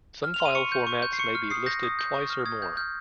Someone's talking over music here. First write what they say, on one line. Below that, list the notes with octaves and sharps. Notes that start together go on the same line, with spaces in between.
Some file formats may be listed twice or more.
F6
F7
C6
D#7
C#6 C#7
G6
C#6
G6
C7
C#6 C#7
F6
D#6 C7
G6 A#6
D#6
G6
C#6
F6
D#6 G#6
G6
F6 G6